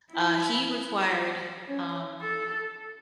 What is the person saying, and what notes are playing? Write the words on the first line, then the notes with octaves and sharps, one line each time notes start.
uh, he required, um,
E4
C#4
A4